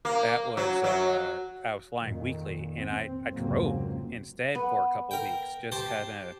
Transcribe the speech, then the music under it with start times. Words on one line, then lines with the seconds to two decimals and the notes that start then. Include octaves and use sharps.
that was, uh I was flying weekly, and I I drove instead for a couple weeks just to kinda
0.05 A#3
0.57 F#3
0.84 F#3
2.01 F2 A#2 D#3
2.78 C4
3.32 F1 C#2 G#2 F#3 A#3 C4
4.55 B3
5.11 A#4 G5
5.72 G4 C5 A5